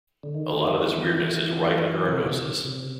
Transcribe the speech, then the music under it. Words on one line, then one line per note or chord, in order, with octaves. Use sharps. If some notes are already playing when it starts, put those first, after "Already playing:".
A lot of this weirdness is right under our noses.
D3
D#3
E3
C3
C3
C#3
C3